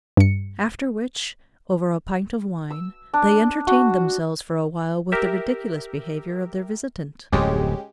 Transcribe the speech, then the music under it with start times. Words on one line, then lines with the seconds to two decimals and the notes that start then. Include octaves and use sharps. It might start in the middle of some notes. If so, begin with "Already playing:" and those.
After which, over a pint of wine, they entertained themselves for a while with the ridiculous behaviour of their visitant.
0.17 G2 C#7
2.70 E6
3.14 D4
3.67 F#4
5.12 G4 A#4 E5
7.32 D1 F2 G#3 C#4 G4